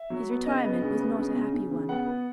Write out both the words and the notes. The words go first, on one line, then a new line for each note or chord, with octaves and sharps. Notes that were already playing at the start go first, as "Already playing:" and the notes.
His retirement was not a happy one.
Already playing: E5
F#3
B3
C#3 D#5
B3
C#3
B3
C#3
C#3
C#3
C#3
B3 F#5
B3